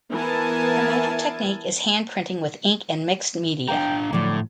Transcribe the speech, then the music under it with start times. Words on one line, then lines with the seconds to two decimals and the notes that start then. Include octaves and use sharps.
Her major technique is hand printing with ink and mixed media.
0.12 E3 B3 E4 A#4 G#5 A5
3.68 D4 F5 G5 A#5
4.13 A2 D3 F3 F#3 D5